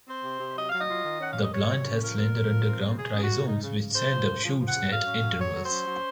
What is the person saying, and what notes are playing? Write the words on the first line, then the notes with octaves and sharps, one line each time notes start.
The plant has slender underground rhizomes which send up shoots at intervals.
C4 C5
C3
C3
F#3 D#5
F#3 F5
D#5
F4
D#3
C#4 F#5
F5
C3 D#5
C3 C#5
F#3
C#4
F3 A#4
C4
C4
F3
C4
C#3
C#3 G#4
C#3
F#4
C#3
D#4
C#3
C#3
C#3 C5
F3
C#3
F3
F3
F#5
C#3
F#3 F5
C#4
F#3
F#3 C#5
F#3
C5
C#4
F#3